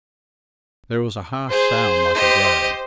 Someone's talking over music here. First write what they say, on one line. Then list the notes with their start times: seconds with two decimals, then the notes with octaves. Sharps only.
There was a harsh sound like a groan.
1.50 G#4 C5
2.15 G4 D#5